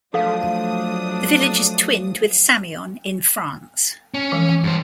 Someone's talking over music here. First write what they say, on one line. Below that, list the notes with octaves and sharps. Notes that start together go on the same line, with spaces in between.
The village is twinned with Sameon in France.
F3 F#3 A3 D4 A4 F5 D#6
C#4
E3 F3 G#3
G2 C5